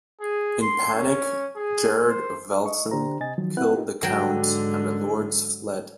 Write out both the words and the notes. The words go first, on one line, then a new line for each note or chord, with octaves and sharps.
In panic Gerard of Velzen killed the count, and the lords fled.
G#4
C6
C#4
G#4
C5
D#5 C#6
D3 D4 G4 C5 A#5
C3 D#5 G#5 A6
D#3 F3 F#3
C4 E4 B4 F#5 F#6
D#4 F4 G4
G#2 D3 F#3 G5